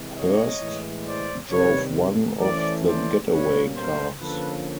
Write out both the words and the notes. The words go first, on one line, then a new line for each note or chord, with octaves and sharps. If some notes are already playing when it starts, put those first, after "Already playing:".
Hearst drove one of the getaway cars.
Already playing: C3 E3 G#3
C#5 D#5
A2 E3 G#3
C5 D5
C3 D#3 G3 B4 C#5
E3 A3 C#4 C5 D5
C5 D5
B2 G3 A#3 C#4 B4 C#5
A#4 C5
D3 F3 A#3 C#4 A4 B4